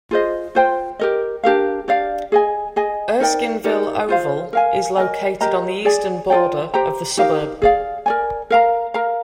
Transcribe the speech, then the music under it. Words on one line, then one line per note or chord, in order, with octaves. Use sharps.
Erskineville Oval is located on the eastern border of the suburb.
F4 G#4 C5 D#5
F4 C5 G5
G4 A#4 D#5
D4 G4 A#4 F5
D4 G4 D5 F5
G#4 D#5 G#5
G#4 D#5 G#5
D#4 A#4 D5 G5
D#4 G4 A#4 D5
F4 C5 F5
A#4 F5 G#5
A#4 D#5 G#5
G4 A#4 D#5 A#5
G#4 D5 G#5
F4 G#4 D5 G5
G4 C5 G5 A#5
D#4 G4 A#4 F5
G#4 D5 F5
A#4 D5 G#5
A#4 F5 A#5
A#4 F5 A#5